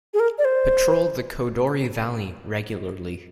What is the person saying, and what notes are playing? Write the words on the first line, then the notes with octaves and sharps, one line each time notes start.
Patrol the Kodori Valley regularly.
G#4
A#4
D5
C5